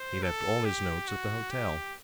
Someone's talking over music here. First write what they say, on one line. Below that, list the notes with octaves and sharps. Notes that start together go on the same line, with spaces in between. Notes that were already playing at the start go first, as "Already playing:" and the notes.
He left all his notes at the hotel.
Already playing: C5
A4
G4
F#4
G4